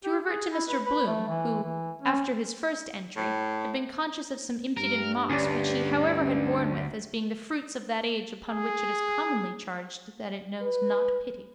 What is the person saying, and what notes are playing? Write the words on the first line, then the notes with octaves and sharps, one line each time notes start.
To revert to Mr Bloom who, after his first entry, had been conscious of some impudent mocks which he however had borne with as being the fruits of that age upon which it is commonly charged that it knows not pity.
G4
G#4
E4
B4
B4
A3
E3
E3
C#4
A2
G2 A#4
D2 C#4 D4
G#4
B4